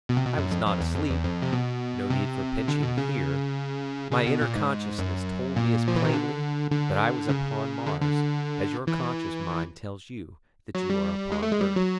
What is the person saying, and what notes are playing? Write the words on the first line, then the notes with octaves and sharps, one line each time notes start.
I was not asleep, no need for pinching here; my inner consciousness told me as plainly that I was upon Mars as your conscious mind tells you that you are upon Earth.
B2
C3
B2
F#2
F2
F2
E2
F2
E2
F2
C3
B2
C3
D3
B2
C#3
C#3
B2
A#2
G#2
F#2
A#2
F3
E3
D#3
D3
D3
C#3
D3
D3
E3
F#3
G3
G#3
A3
G#3
G3
F#3